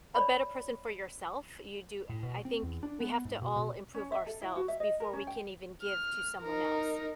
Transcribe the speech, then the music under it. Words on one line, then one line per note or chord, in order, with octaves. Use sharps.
a better person for yourself. You do I I think, we have to all improve ourselves, before we can even give to someone else.
C#5 D5 B5
A2
B2
C4
E2
D4
B3
G#2
B2
B2
C#4
E5
A4
E4
F#4
E5
D#5
A#4
C#4
G5
F6
D#4 A#4